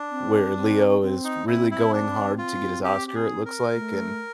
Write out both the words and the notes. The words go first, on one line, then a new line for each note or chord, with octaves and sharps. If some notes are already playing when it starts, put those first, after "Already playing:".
where Leo is really going hard to get his Oscar, it looks like and,
Already playing: D4
C4
C4
C4
D#4
C4 E4
E4
D4
F4
G4
G4
G#4
A#4
A3